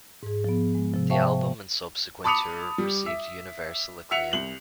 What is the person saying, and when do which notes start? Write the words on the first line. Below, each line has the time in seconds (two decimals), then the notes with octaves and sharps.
The album and subsequent tour received universal acclaim.
0.23 G#2 G#4
0.44 F3 B3
0.75 G#3
0.94 C3 F3
1.10 C5 E5 F5 G5 A5 C#6
2.24 A5 B5 D6 D#6 C#7 F7
2.78 G3
3.06 E5
4.11 E5 F#5 C#7 F7
4.33 C2 F#7